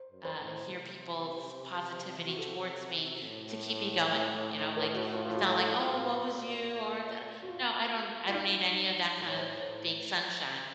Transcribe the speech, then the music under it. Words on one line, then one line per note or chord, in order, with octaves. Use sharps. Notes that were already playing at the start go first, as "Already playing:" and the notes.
uh, hear people's positivity towards me to keep me going, you know, like, it's not like, "Oh, woe is you," or, dada No, I don't I don't need any of that kinda big sunshine.
Already playing: C5
F#2
C5
A2
C3
F#4
A4
A2
A#4
A4
F#4
F4
F4
F#4
A4
A2 F4
A#2
F#4
F4
F4
D#4
A2
C#5
C5
C#5
A2